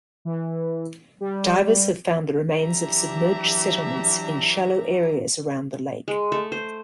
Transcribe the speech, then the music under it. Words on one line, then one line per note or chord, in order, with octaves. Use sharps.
Divers have found the remains of submerged settlements in shallow areas around the lake.
E3
G3
E3 F#3 D4 G4 E5 A#5
G#3
A3
C5